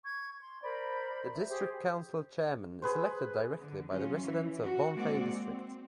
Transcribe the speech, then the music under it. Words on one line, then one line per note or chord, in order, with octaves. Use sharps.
The District Council Chairman is elected directly by the residents of Bonthe District.
C#6 G#6
C6
A#4 C5 D5 B5
E5
G4 G#4 C5
G#4 B4 C5
D3
F#3 C#4 F4
E3
F#4
G#3 A#3 C4 F#4 D5
C4